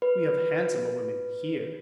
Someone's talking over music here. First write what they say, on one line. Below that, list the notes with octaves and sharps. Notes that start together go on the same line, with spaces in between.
"We have handsomer women here."
B4